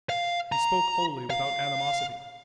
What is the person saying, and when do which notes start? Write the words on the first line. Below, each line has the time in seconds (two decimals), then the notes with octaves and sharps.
He spoke wholly without animosity.
0.09 F5
0.52 A#5
1.30 F5